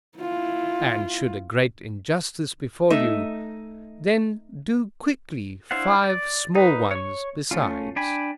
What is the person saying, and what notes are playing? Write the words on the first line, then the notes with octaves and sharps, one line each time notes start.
And should a great injustice befall you, then do quickly five small ones besides.
E4 F4
A3 D#4 E5
D4 E4 C5 F5 F#5
D5
D#4 B4
C#5 C#6
A3 C#4 F4
D4 G5 G#5 B5